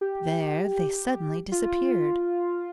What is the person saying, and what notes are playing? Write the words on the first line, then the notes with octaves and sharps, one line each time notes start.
There they suddenly disappeared.
G4
F4